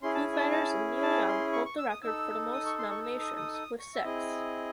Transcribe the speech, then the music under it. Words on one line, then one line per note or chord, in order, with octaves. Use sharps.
Foo Fighters and Neil Young hold the record for the most nominations, with six.
C#4 E4 G#4 C6
A5
G#5
A5
A5
A5
C6
C#6
C#6
E6
D#6
D#4 A4 E6
D#6
C#6
C6
C#6
E6
D#6
D#6
D#6
C#6
E5
C4 E4 G#4 D#5